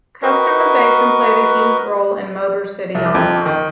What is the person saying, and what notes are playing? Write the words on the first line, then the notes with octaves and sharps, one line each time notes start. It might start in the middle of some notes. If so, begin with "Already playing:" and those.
Customization played a huge role in Motor City Online.
F#4 A#4 B4 D#5
C2
F2
D#3